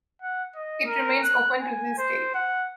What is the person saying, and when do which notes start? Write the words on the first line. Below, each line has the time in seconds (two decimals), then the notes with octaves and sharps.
It remains open to this day.
0.22 F#5
0.56 D#5
0.86 A#4
1.23 F#6
1.61 G#5
1.98 C5
2.34 F#5